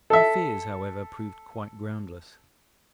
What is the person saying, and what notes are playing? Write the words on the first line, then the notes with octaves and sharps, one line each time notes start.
My fears, however, proved quite groundless.
A4 E5